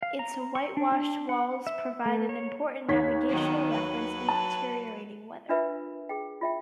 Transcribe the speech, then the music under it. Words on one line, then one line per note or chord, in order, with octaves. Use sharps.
Its whitewashed walls provide an important navigational reference in deteriorating weather.
F5
A#5
C#6
D4
D4
F#5
E5
A3
C#5
D#2 C#5 B6
D#3 F#3 B3
F#3 B4
A5
D4 F4 A#4 B4 E5
G#4 G5
F4 E5 G5